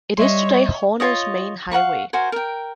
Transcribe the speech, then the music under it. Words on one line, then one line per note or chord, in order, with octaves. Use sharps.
It is today Hornell's main highway.
G3 C#5 D#5 E5 C6
F4 F#4 C#5 D#5
F5 F#5 A#5 C#6
F#4 A#4 C5 G#5
A#4 G5